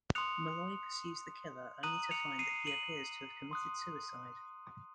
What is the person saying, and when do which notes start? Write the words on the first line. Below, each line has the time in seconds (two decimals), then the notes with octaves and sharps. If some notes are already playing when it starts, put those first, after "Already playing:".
Malloy pursues the killer only to find that he appears to have committed suicide.
0.15 C6 D#6 F#6 C#7 F7
1.83 A#5 D#6 F#6 D#7 F#7
2.11 C#7 F7
2.39 C7 D#7
2.67 D#7 F#7
3.51 C6 D#6 F#6